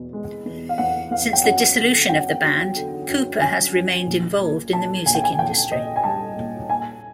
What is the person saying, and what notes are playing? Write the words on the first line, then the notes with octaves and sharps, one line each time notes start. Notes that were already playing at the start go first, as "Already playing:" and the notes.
Since the dissolution of the band, Cooper has remained involved in the music industry.
Already playing: E2 B2
G#3
E2
F5
E2 F#5
E2 F5
G5
F#2 F#5
D3
F#2 G5
F#3
D3
F#2
F#2 G#5
F#2
A#1
A#2
A#2 A5
A#1 G#5
G5
G#5
A#1 G5
A#1 D#5
G#5
G3 A5
A#2
A#2 G#5